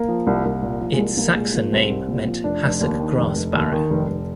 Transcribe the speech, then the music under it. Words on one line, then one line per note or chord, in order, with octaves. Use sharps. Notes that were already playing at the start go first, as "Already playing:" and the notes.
Its Saxon name meant hassock grass barrow.
Already playing: A#3
F3
C2
C2
A#2
F3
G#3
C2 A#3
C2 A#3
A#2 G#3
F3 A#3
C2 C4
C2
A#2
F3
F1 D4
F1
D#2
D#3
F1
F1
D#2
D#3
F1
F1